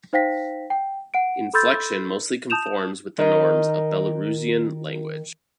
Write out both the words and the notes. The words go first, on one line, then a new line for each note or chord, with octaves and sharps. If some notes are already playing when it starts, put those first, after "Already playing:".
Inflection mostly conforms with the norms of Belarusian language.
D#4 C5 F5 G5 A#6 B6
G5
F#5 D7
A4 B5 C6 E6 G6 A6
A5 D#6 G6 E7 F7
D#3 A#4 D#5